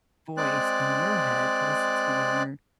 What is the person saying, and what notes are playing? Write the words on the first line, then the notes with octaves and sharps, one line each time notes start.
voice in your head to listen to when you're
G#3 C4 D5 F#6